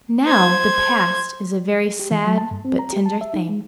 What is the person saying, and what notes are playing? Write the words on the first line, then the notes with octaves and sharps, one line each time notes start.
Now, the Past is a very sad but tender thing.
C5 G#6
G4
E3
F#3
A5
G2
C4
A#5
G4
A5
E5
D#4
G#3